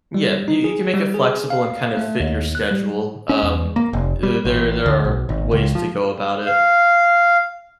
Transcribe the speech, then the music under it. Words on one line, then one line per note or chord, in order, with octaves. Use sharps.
Yeah, you you can make it flexible and kind of fit your schedule. Um, the there there are ways to go about it.
G3
D#4
G#4
G3
G#4
F5
A3
D#2
F#6
G3
C#4
E2
A#3
F1
G3
A1
D2
B1
G#1
C#2
F3
F5